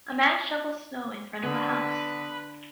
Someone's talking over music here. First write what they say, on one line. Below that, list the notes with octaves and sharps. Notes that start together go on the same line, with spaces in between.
A man shovels snow in front of a house.
D3 B3 B4